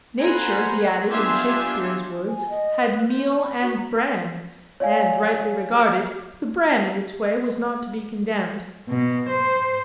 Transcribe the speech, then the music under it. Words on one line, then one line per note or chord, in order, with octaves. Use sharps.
Nature, he added, in Shakespeare's words, had meal and bran; and, rightly regarded, the bran in its way was not to be condemned.
A4 C5 F#5 G#5 A#5 B5
B3 D4 F4 G4 E5 G#5
G#5
D#5
B4
C5
C#6
B5
F#4
A#5
C#5 D5 F5 G#5
B2
C5